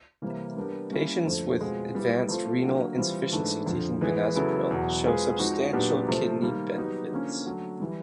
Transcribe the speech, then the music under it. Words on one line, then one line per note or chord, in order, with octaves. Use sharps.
Patients with advanced renal insufficiency taking benazepril show "substantial" kidney benefits.
C3 E3 G3 A#3
G3 B3 D4 G4 A#4
G3 A#3 C#4 E4
F2 D3 F3 A3 C4
B2 G#3 C4 F4 G#4
G3 B3 E4 G4
F3 A3 C4 F4
D3 F#3 A#3
E3 G3 C4 F4
G#2 E3 A3 D4
F2 D3 F3
E3 G#3 B3
C#3 F#3 B3 E4 A4
E2 B2 F#3
G#3 C4 F4 G#4 B4
F3 G#3 C4 D#4 F#4
A#2 F#3 B3 D4 G4
C3 F3 A3 C4
D#3 G3 A#3
F#3 B3 D#4 G4
D3 F3 A#3 C#4
D3 F#3 A3
E3 G3